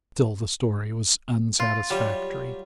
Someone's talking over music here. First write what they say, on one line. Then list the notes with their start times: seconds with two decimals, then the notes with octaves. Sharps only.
Still the story was unsatisfactory.
1.60 F4
1.90 F#3 G3 F4 G4